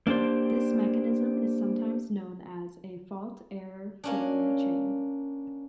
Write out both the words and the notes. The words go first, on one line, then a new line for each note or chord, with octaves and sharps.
This mechanism is sometimes known as a Fault-Error-Failure chain.
A#3 D4 G4 C5
A#3 C#4 D4